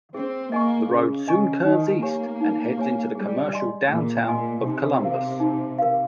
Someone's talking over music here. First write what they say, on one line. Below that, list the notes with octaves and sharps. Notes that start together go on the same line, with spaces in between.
The road soon curves east and heads into the commercial downtown of Columbus.
C4 G#4
A#3 D#5 G#5 C#6
C#3 G#4
C#3 D#5 G#5 C#6
D#3 D#4
A#3 G4 C#5 G#5
D#4
G4 C#5 G#5
G3 G#4
D#5 G#5 C6
A#2 G#4
A#2 D#5 G#5 C6
C3 D#4
A#4 F5
D#4
A#4 F5